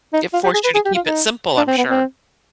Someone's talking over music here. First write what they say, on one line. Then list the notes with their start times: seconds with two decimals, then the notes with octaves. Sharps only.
It forced you to keep it simple, I'm sure.
0.13 D#4
0.34 F4
0.44 G4
0.54 G#4
0.64 B4
0.75 G#4
0.85 G4
0.95 F4
1.06 D#4
1.57 D4
1.68 C4
1.78 B3
1.88 C4